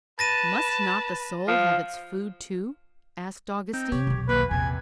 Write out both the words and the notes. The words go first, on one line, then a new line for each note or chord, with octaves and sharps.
"Must not the soul have its food too?" asked Augustine.
B4 A5 A6 A#6 D#7
F3
C4 D#4 G5
C3 G4 C#5
B1 E2
D#2 A#3 B4
A#1 E2 C3 G#5